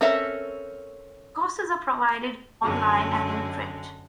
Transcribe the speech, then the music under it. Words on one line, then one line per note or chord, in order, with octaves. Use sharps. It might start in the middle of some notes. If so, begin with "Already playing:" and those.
Courses are provided online and in print.
C4 C#4 A4 A#4 E5
F#2 D3 G#3